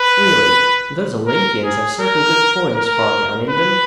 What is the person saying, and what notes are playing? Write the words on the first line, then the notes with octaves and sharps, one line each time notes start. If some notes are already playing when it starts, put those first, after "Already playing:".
Really, those Olympians have certain good points, far down in them.
Already playing: B4
A#4
G#4
A#4
A#4
B4